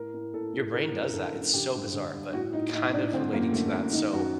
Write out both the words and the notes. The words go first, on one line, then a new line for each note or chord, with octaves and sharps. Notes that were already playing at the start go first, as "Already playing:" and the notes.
your brain does that, it's so bizarre, but kind of relating to that, so,
Already playing: A2 A#4
A2
A2 A4
A2
D3 A#4
F#2
A#4
D3 A4
F#2
D3 G4
G2
D3
G2
A2 F#4
A2 D#4
A2 D#4
A2 D4
D3 C4
F#2 A#3
D3 A3
F#2 A#3
D#3 D#4
F#2 F#4